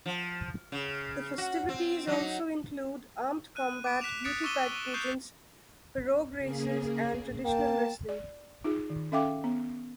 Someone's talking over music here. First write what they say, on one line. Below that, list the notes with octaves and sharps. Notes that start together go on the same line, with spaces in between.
The festivities also include armed combat, beauty pageants, pirogue races, and traditional wrestling.
F3
C#3
F#4
C4
F#3 D#4
F#6 D#7
D6 D7
F#6 B6 E7 F7
D#6 F#6 A6 B6 C#7 D7
C#6 D6 E6 D#7 E7 G7
C#6 D#6 F#6 G6 C7 F7
C#3 A#3 G#4
A#3 G5 A5
D5
D#4 F4 G#4
D#3
C#4 A4 E5 F5 G5 D6
B3